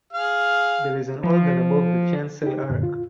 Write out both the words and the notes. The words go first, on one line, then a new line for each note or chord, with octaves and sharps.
There is an organ above the chancel arch.
G#4 F5 F6
F3
D#4 G4
F#2 A#2 D3
F4